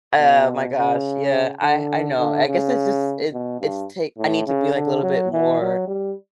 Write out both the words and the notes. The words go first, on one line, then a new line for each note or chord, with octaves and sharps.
Oh my gosh, yeah, I I know, I guess it's just, it it's t I need to be like a little bit more
B2
C#3
D3
D3
C#3
B2
G2
A2
C#3
D3
F#3
E3
F#3
G3